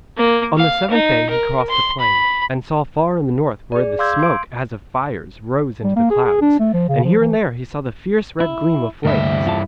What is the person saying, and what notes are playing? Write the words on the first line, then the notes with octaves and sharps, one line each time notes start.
On the seventh day he crossed a plain, and saw far in the north where the smoke as of fires rose into the clouds, and here and there he saw the fierce red gleam of flames.
A#3
F5
D#4
A#4
C6
B5
G#4 D5
F5 C6 D6 E6 G6 G#6
C6 D7
G3
A#3
G#4
G#4
D4
A3
F3
C#3
F3
E3
E4
D2 G2 E4
E2 F4 A5